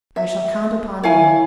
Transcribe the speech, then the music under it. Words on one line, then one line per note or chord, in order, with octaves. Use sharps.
I shall count upon you.
E5
E4 C#5 F5 G#5